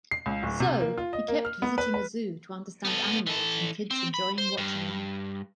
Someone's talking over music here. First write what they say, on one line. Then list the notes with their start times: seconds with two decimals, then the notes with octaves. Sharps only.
So, he kept visiting a zoo to understand animals and kids enjoying watching them.
0.11 C7
0.26 C#2
0.43 D1
0.60 C3
0.80 A#3
0.98 F4
1.13 D#5
1.28 A#3
1.45 F6
1.62 B3
1.78 B4
1.94 B4
2.85 B3 A4
3.27 E3 A4
3.91 C4
4.14 B5
4.38 C5
4.57 G2